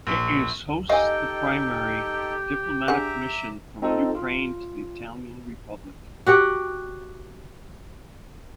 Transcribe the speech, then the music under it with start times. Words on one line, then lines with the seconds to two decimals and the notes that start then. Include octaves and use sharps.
It is hosts the primary diplomatic mission from Ukraine to the Italian Republic.
0.07 A#1
0.89 D#4 G4 A4 D#5 F5 G5 G#5
2.88 D4 G#4 E5 F#5 A#5 D6
3.82 C4 D#4 F4 A4
4.15 F4
6.26 F#4 G4 F#5 G5